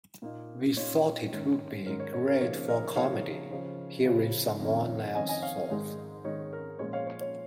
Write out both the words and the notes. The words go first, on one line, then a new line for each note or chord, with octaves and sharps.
We thought it would be great for comedy, hearing someone else's thoughts.
A#2 A#3 D#4
A#2 A#3 D#4 C#5
G#2 D#3 C#4
G#2 D#3 C#4 A#4
C#5
C#5
A#4
C#3 F3 A#3 D#4 C#5
A#4 D#5
C#3 F3 A#3 D#4 C#5 F5
C#3 F3 C#4
C#3 F3 C#4
F2 D#3 C#4
F2 D#3 C#4 D#5 G#5
D#5 G#5
C#5 F5
G#2 D#3 G#3 D#4
G#2 D#3 G#3 D#4 C#5
A#4
A#2 F3 G#3 C#4 C#5
C#5 F5
C#5
C#5